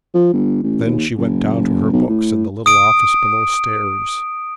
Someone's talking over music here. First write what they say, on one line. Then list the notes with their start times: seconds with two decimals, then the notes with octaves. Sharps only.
Then she went down to her books in the little office below stairs.
0.14 F3
0.33 G1
0.63 A1
0.85 D#2
1.18 F#1
1.93 B1
2.09 A2
2.66 D#6 D7